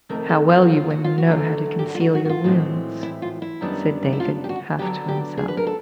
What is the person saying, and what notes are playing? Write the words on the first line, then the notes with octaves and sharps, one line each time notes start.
"How well you women know how to conceal your wounds," said David, half to himself.
F2 C3 D#3 A3 A#4
A4
F4
F#4
F4
F#4
F4
F#4
D3 F#3 A3 D4 F4
G4
F#4
F4
F#4
F#4
F#4
F4
A2 E3 G#3 C4
E4
F4
E4
F#2 D#3 G3 B3 D4
E4
F4
G4
F#4
D3 F#3 B3 D4 G4
G4
G#4
B4
A#4
A4